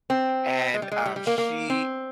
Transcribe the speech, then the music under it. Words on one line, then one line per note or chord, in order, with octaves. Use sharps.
and, um, she
C4
G#3
G3
G#3
G3
G3
A#3
A#3
C4